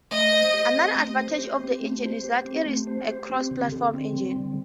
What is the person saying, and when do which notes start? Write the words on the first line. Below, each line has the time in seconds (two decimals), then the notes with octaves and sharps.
Another advantage of the engine is that it is a cross-platform engine.
0.11 A3 D#5
0.32 C5
0.54 G4
0.75 C4
0.96 A3
1.16 C5
1.39 G4
1.60 C4
1.81 A3
2.02 C5
2.24 G4
2.45 C4
2.66 A3
2.87 C5
3.09 G4
3.30 C4
3.51 D3
3.72 D3
3.94 C4
4.15 G3
4.36 D3